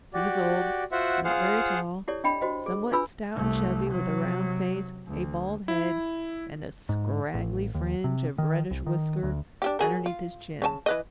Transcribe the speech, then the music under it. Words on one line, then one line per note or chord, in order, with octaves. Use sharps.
He was old, not very tall, somewhat stout and chubby, with a round face, a bald head and a scraggly fringe of reddish whisker underneath his chin.
F#4 G4 D5
F4 F#4 C5 E5 F#5
F4 G#4 C5 F5 F#5
E4 G4 A4 C#5 D5
D4 D#5 G5 B5
F#4 C5 D#5 G5
G#4
D4 F4 B4 G#5 B5 E6
C2 A3
C3 F#3
D2
E4
G#2
A1
D#2
C3
D#3
C2
D#3
D2
D4 F4 G4
F#3 G#4 A#4
F4
C#3 C#4 A5
E3 B4 D#5